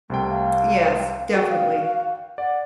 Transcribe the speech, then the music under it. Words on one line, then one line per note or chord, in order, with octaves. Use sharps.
Yes. Definitely.
C2 C3 A3 G5
F5
F#4 G#4 D5 G5
F5
D5 F#5